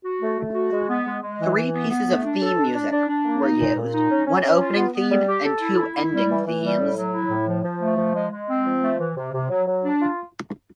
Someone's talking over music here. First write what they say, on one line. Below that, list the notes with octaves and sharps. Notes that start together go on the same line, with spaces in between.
Three pieces of theme music were used: one opening theme and two ending themes.
F#4
A3
A3
F#4
G#3
B3
G#3
G#3
E3
E3
B3
B3
A3
D4
A4
D4
D4
D4
D4
A#3
D#4
A#2
A#2
D#4
C#4
C#4
C#4
F4
B3
B3
G3
G4
A4
E4
E4
E4
G3
E3
E3
G3
A2
F#3
E4
A2
F3
F3
A3
F3
G#3
G#3
C4
F3
A3
E3
C3
C3
F#3
F#3
D4
F4